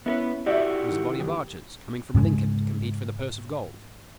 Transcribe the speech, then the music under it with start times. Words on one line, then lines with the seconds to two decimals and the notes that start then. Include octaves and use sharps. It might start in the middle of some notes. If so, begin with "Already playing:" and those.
It was a body of archers coming from Lincoln to compete for the purse of gold.
0.06 B3 C#4 E4 A#4 B4
0.46 E4 F#4 G4 D5 E5
0.89 D#3
1.20 F#2 D#3 G4
2.15 G#2 C#3 G#3